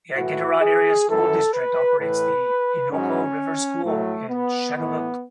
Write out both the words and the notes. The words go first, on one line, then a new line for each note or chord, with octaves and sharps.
The Iditarod Area School District operates the Innoko River School in Shageluk.
A2 E3 F#4
G#4
F#2 E3 A4
B4
A2 E3 B4
G#2 F#3 C#4
A2 F#3 A3
B3
A2 E3 B3